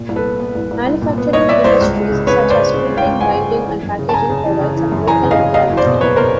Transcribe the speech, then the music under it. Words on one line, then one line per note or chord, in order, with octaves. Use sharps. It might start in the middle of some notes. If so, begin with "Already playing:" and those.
Manufacturing industries such as printing, binding and packaging provide some local employment.
Already playing: A#2
C2
A4 B4
B3
B3
C2
C2
C2
A#2
B3
C2 C#5 D#5
B3 D5 E5
C2 C5 D5
C#2
G#3
C#3
C#3 B4 C#5
G#3
C5 D5
C#2
C#3
G#3
F5 G5
C#2
C#2 F#5 G#5
C#2
G#3
E3
F#2
C#3
A5
C#3 G#5 A#5
C#3
E3
C#3
E3
F#2
E3 G#5 A#5
C#3
D#5 F5
C#3
F#1 D#5 F5
E2
C5 D5
B2
F#1 B4 C#5
B2 A#4 C5